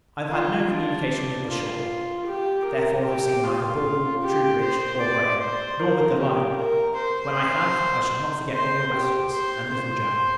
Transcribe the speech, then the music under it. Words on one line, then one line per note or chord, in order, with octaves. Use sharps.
I have had no communication with the shore; therefore, have seen neither Ball, Troubridge, or Graham: nor with the Lion; when I have, I shall not forget all your messages, and little Jack.
F4
D4
F4
G4
A#4
G4
F4
G4
C5
D5
C5
A#4
G4
A#4
C5
C5
G4
C5
C5